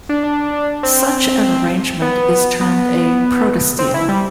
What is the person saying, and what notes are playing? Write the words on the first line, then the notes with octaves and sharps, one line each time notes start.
Such an arrangement is termed a protostele.
D4
D4
C4
B3
B3
C4
E4
G3